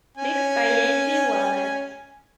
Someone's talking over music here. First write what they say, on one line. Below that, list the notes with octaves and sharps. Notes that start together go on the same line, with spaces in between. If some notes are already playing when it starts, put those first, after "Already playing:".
Mixed by Andy Wallace.
C#4 G#5